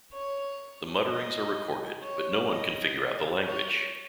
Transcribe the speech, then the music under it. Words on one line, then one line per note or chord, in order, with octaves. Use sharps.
The mutterings are recorded, but no-one can figure out the language.
C#5
D#5
C#5
D#5
C#5